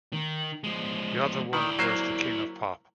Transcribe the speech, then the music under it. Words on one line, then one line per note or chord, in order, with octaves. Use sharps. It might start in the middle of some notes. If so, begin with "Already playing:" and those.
The other one was the King of Pop.
D#3
F3 G#3
D#3 E4 D5
F#3 A#3 C5